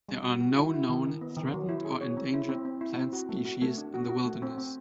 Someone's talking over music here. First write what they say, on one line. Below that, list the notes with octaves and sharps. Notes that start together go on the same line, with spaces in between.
There are no known threatened or endangered plant species in the wilderness.
G3
F#4
F#4
E4
E4
D#3
D#3
B3
D#3
F#3
E4
G#4
C#5
C4
E4
C4
C4
E4
C4
F#4
A3
F#4
A3
D4
F#4
F#4
A3
C4
C4